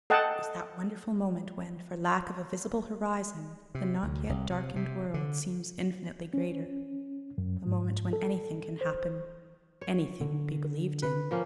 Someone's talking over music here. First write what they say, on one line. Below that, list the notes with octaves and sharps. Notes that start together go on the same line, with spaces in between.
It was that wonderful moment when, for lack of a visible horizon, the not yet darkened world seems infinitely greater--a moment when anything can happen, anything be believed in.
A4 D#5 F#5 G5 A5
C3
D2
C2
C3
C3
D3
C#4
F#2
G#2
A4
C5
C#5
D3
B4
F3 A#3 C#4